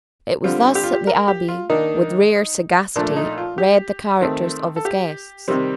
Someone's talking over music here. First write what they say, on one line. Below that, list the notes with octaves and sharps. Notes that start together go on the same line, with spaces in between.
It was thus that the abbe, with rare sagacity, read the character of his guests.
D3 G3 C4 F4
G4
F4
G4
A#4
G4
F4
D#3 A#3 D4 D#4
A#2 F3 A3 D4
D#4
F4
G4
D#3 A3 C4
A4
G4
C3 D#3 G3 C4